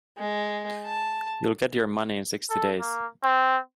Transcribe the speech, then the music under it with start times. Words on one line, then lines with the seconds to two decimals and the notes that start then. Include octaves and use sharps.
You'll get your money in sixty days.
0.17 G#3
0.85 A5
2.50 A4
2.79 A#3
3.23 C4